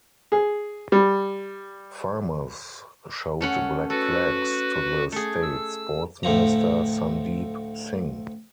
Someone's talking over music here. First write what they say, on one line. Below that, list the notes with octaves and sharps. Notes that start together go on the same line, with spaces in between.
Farmers showed black flags to the state sports minister Sandeep Singh.
G#4
G3
A3 C#4 F#5
F#4 A4 B4
A3 G#4
E6
D2 A2 F3 A#5